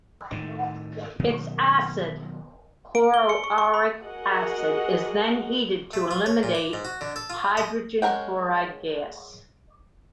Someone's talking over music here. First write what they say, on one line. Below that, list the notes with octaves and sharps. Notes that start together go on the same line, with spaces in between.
Its acid, chloroauric acid, is then heated to eliminate hydrogen chloride gas.
A2 D#3
B2 D#3 F#3
D7
G7
C#7
C#6
C#6
B5
F#4 G#4 A#4 D#5 F#5
A3
F4
C#5
A#2
D6
G#2
F#4
D3
A4
F4
D#5
G#3 C#4 A#4 F#5 G5